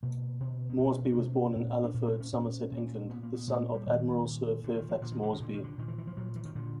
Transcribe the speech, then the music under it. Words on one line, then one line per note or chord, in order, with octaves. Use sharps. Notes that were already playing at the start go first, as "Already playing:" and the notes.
Moresby was born in Allerford, Somerset, England, the son of Admiral Sir Fairfax Moresby.
B2 A#3
B2
B3
B2 C4
C#4
C#4
D4
B2 C#4
A#2
D4
A#2 C#4
B3
C4
C#4
A#2 C#4
A#2
A#2 B3
A#3
B3
A#2 A3
G3
A#2 D#3
A#2
A#2 D3
D#3
F3
A#2 D3
D#3
D3
D#3
A#2 D3
D#3
D3
A#2 D#3
E3
E3
F3
A#2 F#3
E3
D#3
A#2 D3